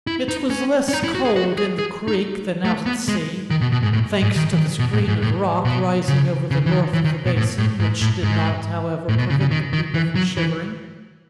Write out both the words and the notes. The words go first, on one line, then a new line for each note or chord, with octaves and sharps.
It was less cold in the creek than out at sea, thanks to the screen of rock rising over the north of the basin, which did not, however, prevent the people from shivering.
E4
D#4
C#4
C#4
D#4
E4
F#4
G#4
F#4
G#4
G#4
D#4
A3
B3
G#3
D#3
B2
B2
G#2
A2
G#2
D#3
E3
D#3
B2
A2
G#2
A2
B2
C#3
C#3
E3
D#3
E3
D#3
B2
A2
A2
G#2
A2
G#2
A2
B2
C#3
C#3
D#3
D#3
E3
F#3
E3